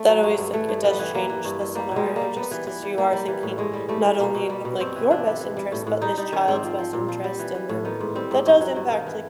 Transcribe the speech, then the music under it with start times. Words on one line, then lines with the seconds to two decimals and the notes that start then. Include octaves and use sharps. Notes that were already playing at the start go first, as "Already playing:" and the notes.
that always like it does change the scenario just 'cause you are thinking not only in, like, your best interest, but this child's best interest, and then, that does impact, like,
Already playing: A3
0.08 F#3
0.23 G2
0.38 G2
0.53 E3 A3
0.69 G2
0.84 G3 B3
0.99 E3
1.14 E3 A#3
1.30 E3
1.45 G2
1.60 G2
1.75 G3 A#3
1.91 B2
1.96 G#3
2.06 G3
2.16 A#3
2.21 G3
2.37 G3 B3
2.51 E3
2.67 E3
2.82 G3
2.98 G3 A#3
3.13 G3
3.28 E3
3.43 A2
3.58 G2 G#3
3.73 G3
3.89 G3 A3
4.04 G3
4.20 B2 A#3
4.35 B2
4.50 G3
4.65 B2
4.80 G2 C4
4.95 E3
5.11 E3 D4
5.25 G3
5.41 E3
5.57 G3
5.72 A2
5.87 A2
6.02 G3 D#4
6.17 G3 D#4
6.32 D#3 C#4
6.48 G#2 C4
6.63 F3
6.79 F3
6.93 A#2
7.08 F3
7.24 G3
7.39 E3
7.55 E3
7.69 A2
7.85 D#3 B3
8.00 G#2
8.15 G3 C4
8.31 G#2
8.46 G2
8.61 F#3
8.76 G2
8.91 D#3
9.06 E3